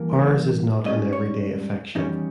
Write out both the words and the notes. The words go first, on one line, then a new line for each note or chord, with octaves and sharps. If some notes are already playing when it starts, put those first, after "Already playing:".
Ours is not an everyday affection.
Already playing: G2 E3 A#3
G#2 G3 C#4 D#5
C#5
E2 D#3 G3 C#4 D#4